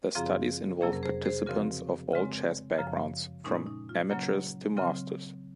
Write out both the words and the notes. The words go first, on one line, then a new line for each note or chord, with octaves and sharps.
The studies involve participants of all chess backgrounds, from amateurs to masters.
F#2 C#3 F3 C4 F4 G#4
F2 C3 F#3 A#3 C#4 G#4
A#4
G#4 C5
G#4 C5
C#3 F3 C4 F#4 A#4
C#3 G#3 C4
F#2 C#3 F3
A#2 G#3 C#4 D#4
D#4
F4
C#3 F#3 A#3 C#4
C#3 F#3 C4